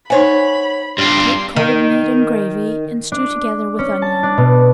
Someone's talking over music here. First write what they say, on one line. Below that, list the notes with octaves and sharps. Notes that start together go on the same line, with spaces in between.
Take cold meat and gravy and stew together with onion.
D#4 C5 C#5 F#5 G#5 B5
G2 G3 F4 G4 C6
D#3
D4
C#4
A5
D4
B2